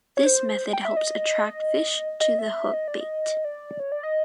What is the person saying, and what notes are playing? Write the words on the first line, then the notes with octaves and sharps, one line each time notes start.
This method helps attract fish to the hook bait.
C#5
C5
G5
E5
D#5
D#5
E5
D#5
D5
D#5
D5
C#5
D5
D#5